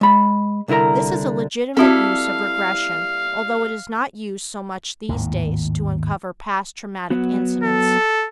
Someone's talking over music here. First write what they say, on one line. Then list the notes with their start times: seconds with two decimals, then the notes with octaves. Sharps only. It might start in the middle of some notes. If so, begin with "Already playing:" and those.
This is a legitimate use of regression although it is not used so much these days to uncover past traumatic incidents.
0.01 G#3 B5
0.68 C2 D3 E4 A#4 A#5
1.77 G3 C4 E4 F#4 A4 F5
5.09 G#1 D#2 A2
7.10 F#3 B3 F#4
7.63 A4